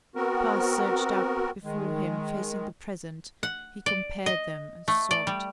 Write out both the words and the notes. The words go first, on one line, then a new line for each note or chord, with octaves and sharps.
The past surged up before him facing the present; he compared them and sobbed.
B3 C4 F#4 A#4
D#3 G#3
F#5
D5
D#5
A3
D5
G3